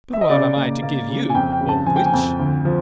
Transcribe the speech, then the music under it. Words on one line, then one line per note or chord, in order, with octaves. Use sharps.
But what am I to give you, old witch?
E5
D#5
C#3 D5
A#3
A#3
C#3
G#5
F2 G5
G5
C#3
A5
F3 G#5
G5
G#5
F2
D2
F3